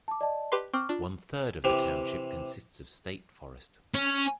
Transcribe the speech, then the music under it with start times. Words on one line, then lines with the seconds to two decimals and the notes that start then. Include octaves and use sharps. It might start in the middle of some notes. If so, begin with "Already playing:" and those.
One-third of the township consists of State Forest.
0.08 A5 D6
0.21 D5 D#5 A5
0.52 G4 B4 C6
0.74 C4 C#6 D6 F6
0.89 D4 F4
1.64 C3 E3 G4 C5
3.94 C#4